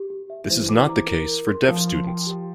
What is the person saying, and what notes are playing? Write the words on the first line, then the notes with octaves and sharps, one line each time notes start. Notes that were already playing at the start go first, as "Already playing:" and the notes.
This is not the case for deaf students.
Already playing: G4
G4
E5
E3 C5
D6
A#5
A#4
A#4
C6
F3 F4
C6
G5
G4